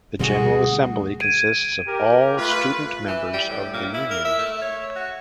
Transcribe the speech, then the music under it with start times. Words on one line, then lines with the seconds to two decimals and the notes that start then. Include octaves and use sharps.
The General Assembly consists of all student-members of the Union.
0.19 D2 B2 G3 G#3 F#4 G#4
1.20 G#6 D7 D#7
1.87 G4 A#4
2.37 A3 F4 B4
3.07 E3
3.33 G3
3.50 A2
3.74 A#2
3.94 E4
4.11 A#4
4.25 E5
4.39 A3
4.62 C#5
4.96 F#4